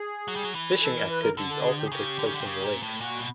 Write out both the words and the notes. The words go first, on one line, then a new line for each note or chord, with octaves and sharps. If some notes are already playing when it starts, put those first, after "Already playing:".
Fishing activities also take place in the lake.
Already playing: G#4
F#3
G3
F#3
E3
A4
A#4
B4
A#4
D3 A4
A4
G#4
G4
G#4
C#3 G4
D3
C#3
D3
C3
C#3
A#2
A2
A#2 F#4
B2